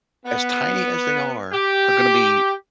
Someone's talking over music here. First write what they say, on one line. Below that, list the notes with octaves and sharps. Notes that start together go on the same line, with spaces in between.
as tiny as they are, are gonna be
B3
G4